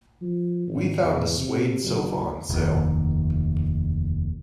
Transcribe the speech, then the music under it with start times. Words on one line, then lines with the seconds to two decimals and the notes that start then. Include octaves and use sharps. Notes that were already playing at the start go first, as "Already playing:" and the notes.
We found a suede sofa on sale.
0.22 F3
0.68 G#1
1.02 E2
1.38 C3
1.84 F#1
2.50 F1 D#2